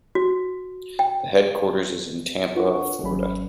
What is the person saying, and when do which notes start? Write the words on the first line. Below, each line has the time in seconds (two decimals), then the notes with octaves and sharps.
The headquarters is in Tampa, Florida.
0.15 F#4
0.99 G5
2.55 D4 F4 B4 F#5 C#6
3.02 G#1 F#3 C#4 B5